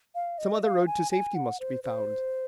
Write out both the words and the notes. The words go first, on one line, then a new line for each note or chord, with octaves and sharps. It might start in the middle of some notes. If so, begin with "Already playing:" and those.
Some other road to safety must be found!
F5
D#5
F5
G#5
G#5
F#5
C5
C5